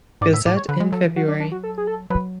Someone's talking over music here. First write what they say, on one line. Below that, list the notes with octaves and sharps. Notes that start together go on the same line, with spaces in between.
Gazette in February.
G#2 D5
A2 E5
A2 D5
C#5
D3 B4
G#3
F#3 A4
E3
F#3 F#4
D4
D4
F#4
A4
G#4
A4
F#3 B4